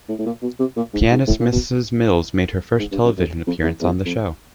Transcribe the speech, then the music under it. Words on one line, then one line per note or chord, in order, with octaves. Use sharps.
Pianist Mrs Mills made her first television appearance on the show.
A2
A2
A#2
B2
C3
A#2
G#2
G#2
A2
A#2
B2
G#2
G2
F#2
F#2
F2
E2
E2
F2